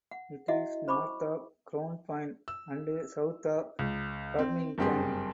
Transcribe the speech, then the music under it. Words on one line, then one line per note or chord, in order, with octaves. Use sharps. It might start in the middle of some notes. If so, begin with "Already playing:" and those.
It is north of Crownpoint and south of Farmington.
F#5
E4 F#4 D#5 E5 F#5
C5 B5 C#6 D6
E6
C#2
C4
F#1 G2 C4 G4 G#4 C6